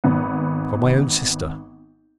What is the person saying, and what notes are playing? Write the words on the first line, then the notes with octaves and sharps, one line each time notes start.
From my own sister?
G#1 B3